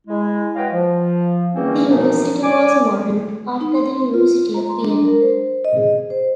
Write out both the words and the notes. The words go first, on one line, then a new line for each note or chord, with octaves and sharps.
The university was modeled after the University of Vienna.
G#3 E4
F#4 B4 C#5 D#5 F5 G5
F3
E2 D#3 G3 A#3 C4 C#4
F#2 B2 E3 F3 D4 D#4
D5 G#5 D6
D#4
C6
F4
A#5
C6
D4
A#4
C5
D#5
G#4
C5